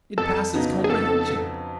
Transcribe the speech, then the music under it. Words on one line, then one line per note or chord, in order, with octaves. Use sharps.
It passes comprehension.
F2 A4
C#3 F#3 B3 D#4
G#4
F2 A4